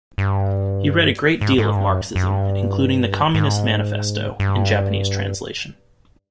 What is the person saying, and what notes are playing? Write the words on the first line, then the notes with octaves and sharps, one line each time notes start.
He read a great deal of Marxism, including the "Communist Manifesto", in Japanese translation.
G2
G#2
G#2
G2
F#2
F#2
G2
G#2
G2